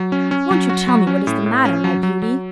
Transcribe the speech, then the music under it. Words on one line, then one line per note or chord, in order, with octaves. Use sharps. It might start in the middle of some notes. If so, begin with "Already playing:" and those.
Won't you tell me what is the matter, my beauty?
Already playing: F#3
C#4
C#4
F#3
F#4
F#3
C#4
A2
A2
C#4
F#3
F#3
F#3